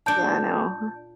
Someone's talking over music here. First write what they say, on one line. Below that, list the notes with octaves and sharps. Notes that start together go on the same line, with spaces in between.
Yeah. I know, huh.
A#2 D4 A5 G6 D7